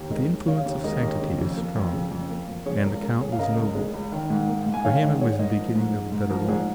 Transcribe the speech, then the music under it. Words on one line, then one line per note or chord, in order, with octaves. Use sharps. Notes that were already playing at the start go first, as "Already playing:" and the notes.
But the influence of sanctity is strong, and the Count was noble; for him it was the beginning of a better life.
Already playing: D#2
G#3 A#4 D#5
D#2
C#3 C#5 F5
D#2
G#3 A#4 D#5
D#2
C#3
F2
A#3
F2
C#3
F2
A#3
F2
C#3 G#4 C#5
C#5
C#2 A#4
G#3 A#4
C#2 G#4 C#5
F5
C#3 A#4 D#5
C#2
G#3
C#2
D#3
G#2
A#3
G#2
G#5
D#3 C#5 F5
G#2 A#4 D#5
A#3 G#4 C#5
G#2 A#4 D#5
F3
G#2
G#3
G#2
F3 A#4
G#2 G#4